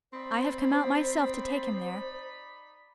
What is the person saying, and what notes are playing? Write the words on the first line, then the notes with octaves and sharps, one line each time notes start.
I have come out myself to take him there.
C4 D#4 C5 D5 B5